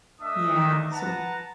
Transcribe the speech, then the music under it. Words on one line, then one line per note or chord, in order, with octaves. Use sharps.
yeah, so
A3 D4 D#5 E5 D#6
B4 F#5 A5 A#5